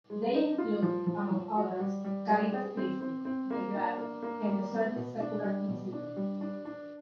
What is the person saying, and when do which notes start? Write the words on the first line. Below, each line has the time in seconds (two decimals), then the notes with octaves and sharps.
They include, among others, Caritas Christi, The Grail, and the Servite Secular Institute.
0.10 G#3
0.34 D#4
0.58 F4
0.82 F3
1.07 F3
1.31 F3
1.56 F#4
1.80 G3
2.04 G3
2.29 G3
2.52 G#4
2.77 C4
3.01 C4
3.25 C4
3.50 A#3
3.75 D4
3.98 A#3
4.23 A#3
4.46 G3
4.71 B3
4.96 B2
5.20 D4
5.43 G3
5.68 B2
5.93 D4
6.16 G3
6.41 D4
6.65 D4